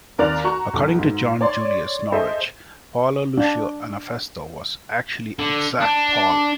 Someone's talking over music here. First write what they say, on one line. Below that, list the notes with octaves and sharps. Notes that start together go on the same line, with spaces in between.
According to John Julius Norwich, Paolo Lucio Anafesto was actually Exarch Paul.
D#2 C4 A#4 D5 F#6 F7
F#4 A#5 C#6
B1
G#2
C#5 D5 C6
G#4 A4 C5 D#5 E5
D4
D3
D4